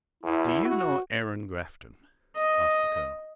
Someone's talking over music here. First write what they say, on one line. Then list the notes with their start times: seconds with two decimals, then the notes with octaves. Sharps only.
"Do you know Aaron Grafton?" asked the colonel.
0.23 E2 E4
0.65 F#4
2.37 D#5